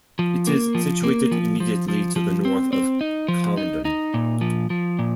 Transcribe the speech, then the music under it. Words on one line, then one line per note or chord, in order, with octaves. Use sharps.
It is situated immediately to the north of Coundon.
F3
A#3
F3
A#3
F3
F3
F3
F3
C4
C4
D#4
F3
D#4
D#4
A#2
F3
F3
A#2